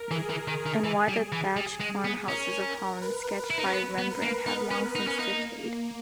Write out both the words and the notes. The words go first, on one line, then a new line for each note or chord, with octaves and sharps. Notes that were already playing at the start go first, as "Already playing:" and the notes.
And why the thatched farmhouses of Holland sketched by Rembrandt have long since decayed.
Already playing: A#4
E3 G#4
E3
D#3
D#3
E3
G3
E3
G3
G#3
B3
C#4 A#4
B4
A#4
E4
D#4
C#4
B3 B4
B3
A#4
A#3
B3 D#4
C#4
D#4
C#4
A#3 D#4